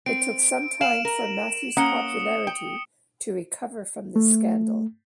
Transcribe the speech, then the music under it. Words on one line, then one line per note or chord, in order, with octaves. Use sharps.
It took some time for Matthews' popularity to recover from this scandal.
C4 D7
F5 D7 E7 F#7
A#4
A#3 C#4 F#5 D#6 C#7 G7
G5
A3